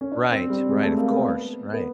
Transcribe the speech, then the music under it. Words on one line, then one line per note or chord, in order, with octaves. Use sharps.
Right, right, of course, right.
C#4
D4
C4
G3
G#3
A3
A#3
B3
B3